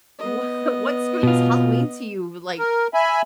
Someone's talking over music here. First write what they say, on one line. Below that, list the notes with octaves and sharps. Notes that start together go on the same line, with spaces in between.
wha what's screams Halloween to you, like,
B3 D#5
B2 F4
A#4
E5 G#5 B5